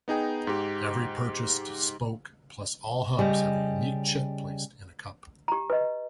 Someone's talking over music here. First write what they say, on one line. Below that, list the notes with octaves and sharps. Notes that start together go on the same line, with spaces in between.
Every purchased spoke, plus all hubs, have a unique chit placed in a cup.
B3 D#4 G#4 G5
G#2 G4
C#3 G3 D#5
G4 A#5
B4 D#5